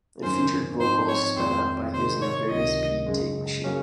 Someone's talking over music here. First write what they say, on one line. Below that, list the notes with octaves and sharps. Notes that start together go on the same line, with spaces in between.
It featured vocals sped up by using a vari-speed tape machine.
F#2 D#3 F#3 C#4 C5
G#2 F3 C4 D#4 C5
C#5
F2 D#3 G#3 C4 C5
C3 D#3 G#3 C5
C#5
C#2 C3 D#3 F#3 D#5
F#2 C#3 G#3
C#3 F#3 A#3 C#4